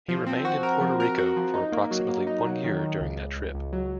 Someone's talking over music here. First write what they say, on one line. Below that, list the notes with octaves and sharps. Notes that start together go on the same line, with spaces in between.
He remained in Puerto Rico for approximately one year during that trip.
F3
C4
F#4
A#4
F3
A#4
F#4
F3
D#4
A#3
F#3
A#3
D#4
F#3
D#3
D#3
C#2
C#2
C#2
C#2
F#3